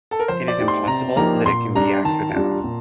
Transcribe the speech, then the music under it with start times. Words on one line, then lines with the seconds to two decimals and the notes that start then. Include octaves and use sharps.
It is impossible that it can be accidental!
0.11 A4
0.19 A#4
0.28 F3 C5
0.48 D5
0.58 A3 D#4 G4
0.68 C6
0.87 C3 A#5
1.16 F3 A#3 D#4 G4 A#5
1.46 A#2 C6
1.75 G3 D4 A#5
2.05 D#3 A5
2.34 G3 D4 F4
2.64 A#2